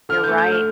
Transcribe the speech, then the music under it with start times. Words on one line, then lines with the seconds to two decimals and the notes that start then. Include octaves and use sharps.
You're right.
0.09 D3 F6
0.24 A3 G6
0.38 G6
0.47 A3 F6